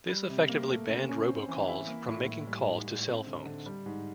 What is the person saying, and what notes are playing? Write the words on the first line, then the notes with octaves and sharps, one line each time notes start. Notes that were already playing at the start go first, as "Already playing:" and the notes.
This effectively banned robocalls from making calls to cell phones.
G3
C3
A#3
A3
C#3
C#4
C4
E3
E4
A#3
A2
A2
G3
G#2
G#2
C4
D3
D3
G3
G#2